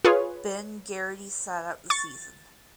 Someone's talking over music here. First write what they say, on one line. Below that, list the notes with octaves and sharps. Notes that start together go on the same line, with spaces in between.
Ben Garrity sat out the season.
F4 G#4 B4 C#5
C#6 A6